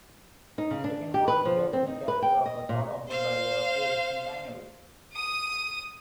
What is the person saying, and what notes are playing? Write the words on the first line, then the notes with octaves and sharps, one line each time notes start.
The second one is gravitational capture of a third object by a preexisting binary.
D#4
C#3
D4
G4
B4
F3
C4
D#4
B4
G5
D#5
A#2
C5 F5
D#6 D#7